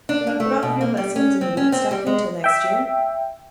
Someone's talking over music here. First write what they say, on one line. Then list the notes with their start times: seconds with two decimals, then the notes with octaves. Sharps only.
Will you put off your lessons in wheat-stacking till next year?
0.09 D4
0.27 A#3
0.40 A3
0.63 B2
0.81 A#3
0.97 G3
1.16 C#4
1.41 C4
1.57 C#4
1.72 C4
1.91 G3
2.07 G#3
2.44 E5 G5